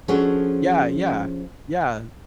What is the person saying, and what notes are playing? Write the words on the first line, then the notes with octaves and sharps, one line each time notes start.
yeah yeah yeah, e
F3 C#4 D4 F#4 G#4 A4